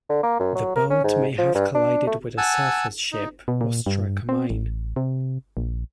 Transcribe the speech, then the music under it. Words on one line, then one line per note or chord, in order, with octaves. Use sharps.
The boat may have collided with a surface ship or struck a mine.
D3
A#3
F#2
F#3
A#4
C#4
G#2
F3
G2
D4
A3
F#5 G#5 A5 E6
D#4
B2
A#2
G2
C4
A1
C3
A#1